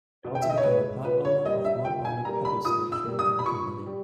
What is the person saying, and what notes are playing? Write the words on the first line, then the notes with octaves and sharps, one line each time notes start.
He also became a part owner of Mount Barnett cattle station in the Kimberley.
B2
G5
E5
D#5
C#5
G#3 B4
A#2 B4
C#5
G3 A#3 D#5
E5
A#2 G5
G#5
G3 A#3 A#5
B5
A#2 D#6
E6
G3 A#3
D#6
B5
A#2 C#6
G3